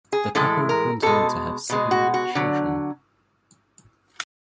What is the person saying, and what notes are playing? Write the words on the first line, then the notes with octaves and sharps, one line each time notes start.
The couple went on to have seven children.
G#4
A2 E3 G#3 A4
A#4
B2 G#3 A4
B2 G#3
F#4
F#4
D3 F#3